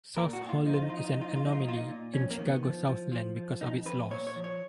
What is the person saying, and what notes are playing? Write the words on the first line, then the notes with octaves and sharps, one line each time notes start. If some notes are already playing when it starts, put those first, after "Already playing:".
South Holland is an anomaly in Chicago Southland because of its laws.
A#2 A#4
F#4
A#2
F4
F3 D#4
F4
D#4
F2 F4
D#4
F4
F2 D#4
F4
D#4
F4
F2 D#4
F4
D#4
A#2 F4
D#4
A#2
F2 C#4
A#3
D#3
B3
F3
F3
F3
F3
F2 D#4
F2 B4
A#2 C#5
C#5
F3
C#5